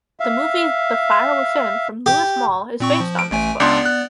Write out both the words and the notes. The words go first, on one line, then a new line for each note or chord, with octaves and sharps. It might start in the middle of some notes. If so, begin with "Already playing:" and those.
The movie "The Fire Within" from Louis Malle is based on this book.
E5 F5
G4
A#2 C4 C#6
F3
D7
A1 A3 G#5
C#2 B3 D4 D5 C6
F#6